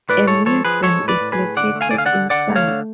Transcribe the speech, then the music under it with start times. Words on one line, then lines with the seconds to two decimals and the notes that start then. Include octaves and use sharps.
A museum is located inside.
0.09 A2 B4 D5
0.27 G#3 A4 C#5
0.46 F3 A4 C#5
0.65 F3 G#4 B4
0.83 G#3 A4 C#5
1.02 A2
1.08 B4 D5
1.20 A2
1.32 G#4 B4
1.38 A2
1.57 D3 D5 F#5
1.75 A3
1.81 F5 G#5
1.91 D5
1.94 D3 F5
2.06 D5 F#5
2.13 D3
2.30 D3 D5 F#5
2.49 A3
2.56 C#5 F5
2.68 D3